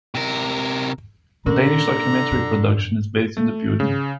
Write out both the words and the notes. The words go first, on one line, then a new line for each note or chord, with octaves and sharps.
Danish Documentary Production is based in the building.
C3 A#4
A#2 D3 C#4 A#4 A#5
F#2 B2
A3
C#3